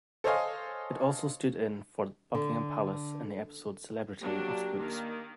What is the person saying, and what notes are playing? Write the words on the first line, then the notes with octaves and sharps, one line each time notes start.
It also stood in for Buckingham Palace in the episode "Celebrity" of "Spooks".
A4 C5 C#5 D#5 F5 G#5
D3
F#3 A#3 D4 G4
D#3 A#3